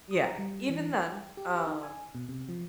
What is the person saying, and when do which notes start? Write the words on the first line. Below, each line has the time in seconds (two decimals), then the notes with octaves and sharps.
yeah, even then, um
0.11 D#6
0.25 A#5
0.38 G3
0.69 E3
1.05 G5
1.37 G4
1.55 G4
1.67 D#4
1.83 G#5
2.15 B2
2.29 C3
2.49 F3